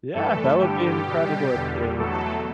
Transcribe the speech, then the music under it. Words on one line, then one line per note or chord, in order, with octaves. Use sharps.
Yeah, that would be an incredible experience.
G2 E3 A3 A4
G2 D3 G3 G4
B2 G3
E2 D3 G3
E2 B2 F#3 A3 A4